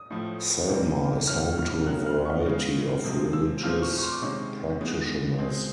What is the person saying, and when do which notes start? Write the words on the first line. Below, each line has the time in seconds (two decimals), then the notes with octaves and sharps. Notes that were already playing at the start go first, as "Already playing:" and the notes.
Selma is home to a variety of religious practitioners.
Already playing: D#6
0.10 A2 F3 A3
0.69 C3 E3 G3 A#3
1.27 A2 E3 A3 C#4 F6
1.58 F6
1.86 C#3 F#3 B3 F#6
2.06 F6
2.25 C#6
2.45 C#3 E3 G#3 B3
3.04 C3 F3 G#3
3.33 E6
3.63 A#2 F3 A3 C4 F6
3.82 C#6
3.98 C#6
4.02 C6
4.12 D6
4.22 C3 D#3 G#3 C#4 C#6
4.81 E3 G#3 B3
5.39 B2 G#3 C4